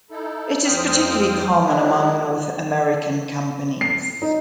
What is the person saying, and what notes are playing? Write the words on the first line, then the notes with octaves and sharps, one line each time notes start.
It is particularly common among North American companies.
D#4 E4 A4
F2 C4 C5 G5 D#6 F6
D#3 F#3 G#3 D4 E4
C7
D#4